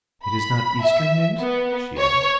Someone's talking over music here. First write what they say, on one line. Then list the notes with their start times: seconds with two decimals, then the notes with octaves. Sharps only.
"It is not Eastern news?" she asked.
0.25 B5
0.83 E5
1.40 B3
1.97 C#5